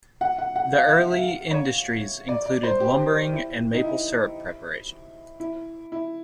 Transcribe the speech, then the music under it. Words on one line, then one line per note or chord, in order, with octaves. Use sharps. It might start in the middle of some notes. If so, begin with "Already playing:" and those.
The early industries included lumbering and maple syrup preparation.
F#5
F#5
F#5
F5
E5
E5
C#5
D5
D5
C5
G4
E4
D#4
E4
E4
E4